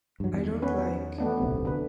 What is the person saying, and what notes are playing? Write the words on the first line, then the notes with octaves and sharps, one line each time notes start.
I don't like...
G2 F#3
E2 D#3
B3 C#4 B4
A3 B3 D4
D1 B1 C3
D3 B4